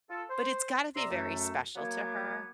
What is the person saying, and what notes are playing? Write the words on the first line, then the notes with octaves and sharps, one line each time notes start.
But it's gotta be very special to her
F4 A4
C5
C3 D5 A#5 C6 E6
F#2 A3
F#3 A#3 B3 G#5 D6